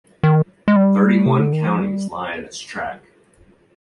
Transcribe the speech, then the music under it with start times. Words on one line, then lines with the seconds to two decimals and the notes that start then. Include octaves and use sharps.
Thirty-one counties lie in its track.
0.23 D#3
0.68 G#3
0.76 G3
1.26 C3
1.40 D3
1.53 D#3
1.67 F3
1.80 G3